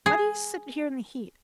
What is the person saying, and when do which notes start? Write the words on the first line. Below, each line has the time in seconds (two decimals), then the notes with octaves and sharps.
Why do you sit here in the heat?
0.06 G#4